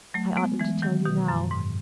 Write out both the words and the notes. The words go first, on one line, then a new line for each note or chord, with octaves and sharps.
I oughtn't to tell you now.
F#3 A3
G#3 B3
E3 G#3
D#3 F#3
B2 D#3
F#2
G#2